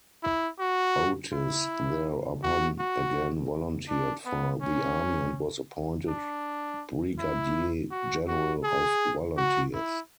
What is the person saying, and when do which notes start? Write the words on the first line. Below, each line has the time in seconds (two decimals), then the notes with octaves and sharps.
Otis thereupon again volunteered for the Army and was appointed brigadier general of volunteers.
0.23 E4
0.59 F#4
1.32 E4
2.43 F#4
2.79 F#4
3.88 D4
4.26 B3
4.61 C#4
6.08 D4
7.18 E4
7.91 F#4
8.28 F#4
8.64 G#4
9.37 F#4
9.74 E4